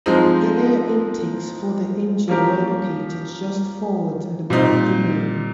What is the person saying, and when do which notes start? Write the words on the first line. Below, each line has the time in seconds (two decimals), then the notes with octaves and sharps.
The air intakes for the engine were located just forwards and above the wing.
0.06 F3 G#3 C4 D#4
2.28 F3 A#3 C#4 G4 A#4
4.50 A#2 G3 C4 D#4